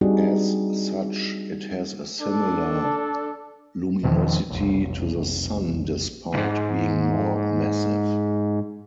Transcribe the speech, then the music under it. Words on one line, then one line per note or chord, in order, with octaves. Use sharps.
As such, it has a similar luminosity to the Sun despite being more massive.
G3 C4 D4 D#4 F#4 G#4
D4 A4
E2 B2 D#3 F3
F1 B1
C2 G#2